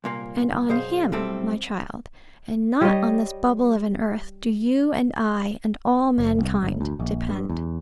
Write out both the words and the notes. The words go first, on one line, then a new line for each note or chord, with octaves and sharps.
And on Him, my child, and not on this bubble of an earth, do you and I, and all mankind, depend.
C2 A#2 A#3
F#2 B2 G#4 C5 F5
B1 A2 G3 A3 C4 A4
G3 C#5 D#5
F#1
C2
G1
D2
A#1
G2
E2